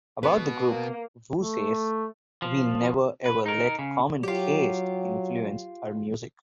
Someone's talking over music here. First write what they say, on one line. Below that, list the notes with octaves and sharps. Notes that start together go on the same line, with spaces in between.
About the group, Wu says, We never, ever let 'common taste' influence our music.
B2 B3 B4
A#3
A3
F3
B4
D#4 A#4
C#3
F#3 F4 G4